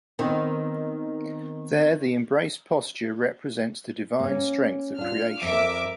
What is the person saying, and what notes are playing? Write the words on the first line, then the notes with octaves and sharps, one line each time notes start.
There, the embraced posture represents the divine strength of creation.
D#3 B3 C4 D#4
A#3 C#4
D4 F4 F6
F2 A#4 E5 D6